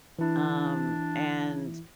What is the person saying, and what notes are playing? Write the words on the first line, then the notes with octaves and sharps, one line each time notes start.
um, and,
E3 D4 E4